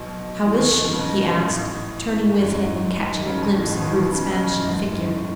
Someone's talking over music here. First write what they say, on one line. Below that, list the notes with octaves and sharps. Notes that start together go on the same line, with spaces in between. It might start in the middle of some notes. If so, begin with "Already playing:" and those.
"How is she?" he asked, turning with him and catching a glimpse of Ruth's vanishing figure.
Already playing: B1 B2
E3
D#2 D#3
D#2 D#3
B2
C#3
B1 B2
G#2
A1 A2
A2
G#2
F#2
G#2
A2
G#2
D#3
C#3
B1 B2
A1 A2
A1 A2
D#2 D#3
E2 E3
B2
C#3
B2
C#3
B1 B2
F#2
G#2
F#2
A2